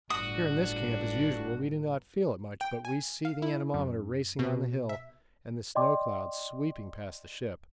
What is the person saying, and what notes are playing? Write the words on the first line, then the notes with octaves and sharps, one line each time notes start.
Here in this camp as usual we do not feel it much, but we see the anemometer racing on the hill and the snow clouds sweeping past the ship.
G1 A2 D4 F#4 D#6
G5
G#5
F5
E4
F#2
B2
E5
D5 D#5 G5 C6 D6